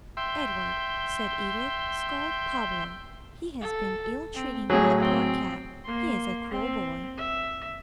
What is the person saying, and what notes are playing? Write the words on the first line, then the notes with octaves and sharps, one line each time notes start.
"Edward," said Edith, "scold Pablo; he has been ill-treating my poor cat; he is a cruel boy."
E5 G5 C6
A4
C4
A2 F#3 G#4
C4
A#3 C6
C4
E5